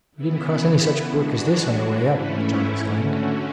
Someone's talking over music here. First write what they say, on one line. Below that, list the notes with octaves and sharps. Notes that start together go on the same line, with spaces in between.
"We didn't cross any such brook as this on our way up!" John exclaimed.
C#3 E3 B3 E4
E3 G#3 D4 F#4
G#2 E3 A3 C#4 E4
D3 A3 C#4 F#4